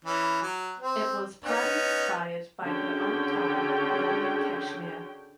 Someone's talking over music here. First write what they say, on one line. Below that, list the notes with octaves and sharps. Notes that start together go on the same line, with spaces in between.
It was party inspired by her own time living in Kashmir.
E3 C#4
F#3
C4
B3 C#4 D#4
D3 C#4 F#4 G#4 G5